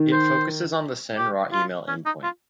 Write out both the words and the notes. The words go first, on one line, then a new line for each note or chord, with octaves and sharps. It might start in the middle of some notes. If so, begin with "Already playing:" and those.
It focuses on the Send Raw Email endpoint.
Already playing: D#3
C5
G4
F4
C#4
D#4
F4